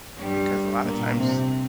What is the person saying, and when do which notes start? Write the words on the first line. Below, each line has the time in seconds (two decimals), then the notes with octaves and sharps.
Because a lotta times
0.18 G2 G3
0.84 A#2 A#3
1.16 C3 C4